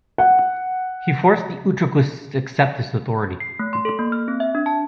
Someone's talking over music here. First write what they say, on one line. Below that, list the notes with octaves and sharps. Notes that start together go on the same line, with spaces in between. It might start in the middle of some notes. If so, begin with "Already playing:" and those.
He forced the Utraquists to accept his authority.
F#5
C7
A3
C6
A4
A#3
F6
C4
E5
D4
A5